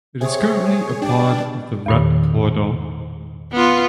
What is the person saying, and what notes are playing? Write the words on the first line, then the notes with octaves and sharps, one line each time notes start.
It is currently a part of the Red Corridor.
C3 G#4 C#5
D4 G4 D5
E2 A#2 D#3
B3 F4